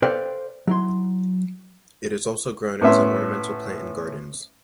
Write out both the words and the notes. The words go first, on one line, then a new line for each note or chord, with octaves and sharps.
It is also grown as an ornamental plant in gardens.
A4 B4 C5 D5 F5 G5
F#3 E4 C6
A2 B3 C#4 E5 C6